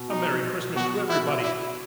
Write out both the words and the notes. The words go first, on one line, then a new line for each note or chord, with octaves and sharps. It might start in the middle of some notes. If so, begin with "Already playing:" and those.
A merry Christmas to everybody!
Already playing: B2
D#4
B2 F#4
E4
E4